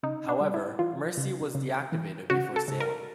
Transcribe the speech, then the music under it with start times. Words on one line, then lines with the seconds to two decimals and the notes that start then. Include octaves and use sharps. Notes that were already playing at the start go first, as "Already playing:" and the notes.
However, "Mercy" was deactivated before sailing.
0.03 C#3 D#4
0.29 D4
0.41 G3
0.54 E4
0.79 E3 F4
1.17 C#3
1.55 C#3
1.92 E3
2.30 C#3 F#4
2.56 A4
2.68 C#3
2.80 A#4